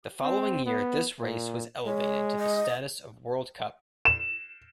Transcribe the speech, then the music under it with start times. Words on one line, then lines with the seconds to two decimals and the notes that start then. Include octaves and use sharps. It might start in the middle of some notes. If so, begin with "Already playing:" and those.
The following year this race was elevated to the status of World Cup.
0.22 C4
0.66 B3
1.21 A#2
1.86 G#3 C#5
2.37 D#5
4.05 E7